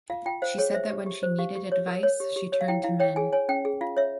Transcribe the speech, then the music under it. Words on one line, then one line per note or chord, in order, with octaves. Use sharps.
She said that when she needed advice she turned to men.
F4 F5
F4 G5
C5 F5
G#4 C#5
C5 E5
G4
G4
C5
G4 F5
G4
C#5
A#4
C#5
G4
G4
C#5
F5
E4 G5
E4 F5
C#5 G5
G#4 G#5
C#5 G#5
C#4 G5
G#4
F4 F5
C#5 E5